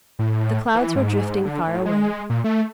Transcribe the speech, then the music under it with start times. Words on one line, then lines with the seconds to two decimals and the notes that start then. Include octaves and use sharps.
The clouds were drifting far away.
0.19 A2
0.75 E3
0.96 G#2
1.46 D3
1.67 A2
1.85 G#3
2.30 A#2
2.44 A3